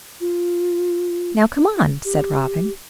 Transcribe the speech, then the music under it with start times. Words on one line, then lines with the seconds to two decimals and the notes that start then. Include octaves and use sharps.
"Now, come on," said Robin.
0.21 F4
2.05 G4